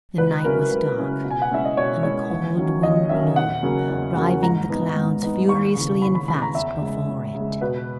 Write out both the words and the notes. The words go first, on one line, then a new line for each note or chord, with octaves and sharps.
The night was dark, and a cold wind blew, driving the clouds, furiously and fast, before it.
C#2 B4
C#3 F#3 C#4 E4 A#4
C#2
C#3 F#3 C#4 E4
B2
G#5
F#5
G#3 C#4 E4 E5
D#5
B2 C#5
G#3 C#4 E4 C#5
D#2
D#3 F#3 C#4
D#2 D#5
D#3 F#3 C#4 E5
E2 F#5
C#3 F#3 A#3 C#4
E2
C#3 F#3 A#3 C#4
G#2 A#5
E3 B3 D#4
G#2
E3 B3 D#4
D#2 C#6
C#3 E3
D#2 B5
B5
C#3 E3 B5
A#5
E2 E5
C#3 G#3
E2
C#3 G#3
B2 B4